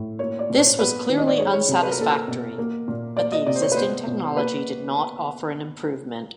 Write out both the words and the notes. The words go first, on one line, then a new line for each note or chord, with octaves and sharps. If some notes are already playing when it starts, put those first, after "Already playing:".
This was clearly unsatisfactory, but the existing technology did not offer an improvement.
Already playing: A2
A#3 C#5
D5
A#2 C5
C#5
B3 B4
D#3
D#5
D5
G#3 C#5
C#5
C3
B4
A#4
A#3 A4
A#4
B2
A#3
A#2
A#3 D5
D#5
C3 D5
C5
C#5
B4
B3 C5
B2
A#3 B4